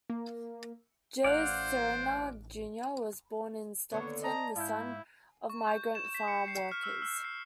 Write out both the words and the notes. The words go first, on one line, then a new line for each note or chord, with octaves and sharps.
Joe Serna, Junior was born in Stockton, the son of migrant farm workers.
A#3
A1 C5 D5 F5 F#5
D#2 D3 B3 C#5
D5 D#5 A5 A#5
G#2 E4 F5 G6
C#6
G6
E7
B6
C#7
C7
F6
E6
E6
C7